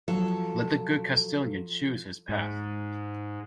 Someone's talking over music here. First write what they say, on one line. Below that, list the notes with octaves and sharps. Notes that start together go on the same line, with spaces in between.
Let the good Castillian choose his path.
F3 F#3 A4
G#2